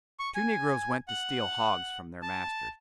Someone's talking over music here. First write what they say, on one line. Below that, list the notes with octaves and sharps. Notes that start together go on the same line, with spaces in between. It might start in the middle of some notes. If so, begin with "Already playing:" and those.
Two negroes went to steal hogs from their masters.
C#6
G#5
F#5
A5